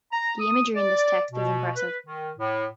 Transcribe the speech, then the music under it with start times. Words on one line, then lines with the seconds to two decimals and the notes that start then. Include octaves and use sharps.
The imagery in this text is impressive.
0.12 A#5
0.40 D#6
0.76 D5
1.32 B2
1.77 B4
2.07 D#3
2.38 A2